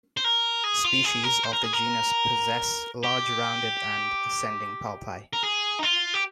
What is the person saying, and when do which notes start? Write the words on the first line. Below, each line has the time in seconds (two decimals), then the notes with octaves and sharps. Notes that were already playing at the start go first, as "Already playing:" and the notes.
Species of the genus possess large rounded and ascending palpi.
0.17 C5
0.24 A#4
0.64 G#4
0.84 F4
1.04 G#4
1.23 A#4
1.43 C5
1.53 A#4
1.64 G#4
1.73 A#4
3.03 G4
5.33 A#4
5.43 G#4
5.79 D#4
5.83 F4
6.14 G4